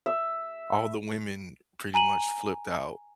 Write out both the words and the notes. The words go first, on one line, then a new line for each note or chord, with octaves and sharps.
All the women pretty much flipped out,
E5
G#5 A#5 D#7 F#7